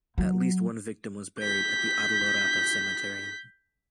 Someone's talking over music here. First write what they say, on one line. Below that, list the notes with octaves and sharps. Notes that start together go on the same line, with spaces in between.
At least one victim was buried at the Addolorata Cemetery.
F#3
G6 B6